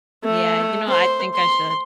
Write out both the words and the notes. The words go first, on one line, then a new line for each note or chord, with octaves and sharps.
Yeah, you know, I think I should.
A3
C5
C6